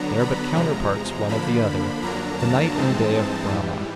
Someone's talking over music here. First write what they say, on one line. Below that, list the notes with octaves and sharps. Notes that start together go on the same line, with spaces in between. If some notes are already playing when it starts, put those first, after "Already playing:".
They are but counterparts one of the other,--The Night and Day of Brahma.
Already playing: D3 F#3 B3 D4 A#5
B5
E2 C3 F3 G#3 A#5
D3 F3 A#3 D4 B5
F2 D3 F#3 A#3 D4 A#5
A5
G2 E3 G#3 C4 D#4
G#2 E3 G3